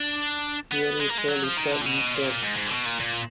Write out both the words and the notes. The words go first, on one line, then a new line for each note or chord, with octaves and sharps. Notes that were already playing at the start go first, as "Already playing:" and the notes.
Here is the list of ministers.
Already playing: D4
B3
G#3
A#3
G#3
F#3
F3
D#3
D3
A#2
B2
A#2
G#2
G#2
D3
B2
A#2
A#2